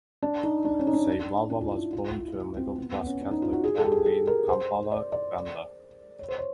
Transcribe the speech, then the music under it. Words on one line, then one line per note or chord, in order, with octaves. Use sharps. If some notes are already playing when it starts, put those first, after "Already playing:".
Sey Wava was born to a middle-class Catholic family in Kampala, Uganda.
D4
D#4
D4
C#4
D#4
D4
D4
F4
E4
F4
E4
F4
F#4
C4
B3
B3
C#4
D4
D#4
F4
F#4
G#4
A4
G4
G#4
A4
A#4
C5
D5
D5
C#5
C5
C#5